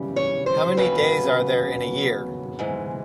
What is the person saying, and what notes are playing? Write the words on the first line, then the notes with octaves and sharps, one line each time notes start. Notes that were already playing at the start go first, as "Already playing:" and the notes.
How many days are there in a year?
Already playing: F#2 C#3 E3 G3
C#5
C5
D#2 C#3 F#3 B3 B4
G#2 E3 G#3